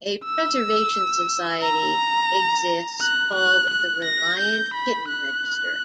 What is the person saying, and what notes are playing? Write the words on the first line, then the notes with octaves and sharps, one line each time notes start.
A "Preservation Society" exists called the Reliant Kitten Register.
E6
A#5
F#6
F#6
F#6
A#6
G6
B5
F#6